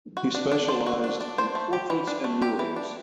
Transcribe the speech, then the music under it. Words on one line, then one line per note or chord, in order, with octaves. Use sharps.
He specialized in portraits and murals.
F#4
D4
D4
C5
F#4
D4
D4
C5
A3
G4
E3
D4
A3
G4
E3
D4